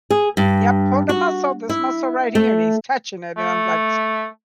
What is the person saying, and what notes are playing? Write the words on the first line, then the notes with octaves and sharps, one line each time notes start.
Yep. Pulled a muscle, this muscle right here," and he's touching it, and I was like,
G#4
G2
F#4
E4
A3
A3